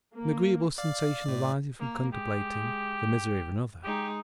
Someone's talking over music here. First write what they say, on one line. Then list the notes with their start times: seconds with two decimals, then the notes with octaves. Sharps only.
An agreeable sensation arising from contemplating the misery of another.
0.14 A#3
0.78 D5 F5
1.25 A2 D5
1.79 A#3
2.13 G#3 G4
3.84 G#3 D#4 G4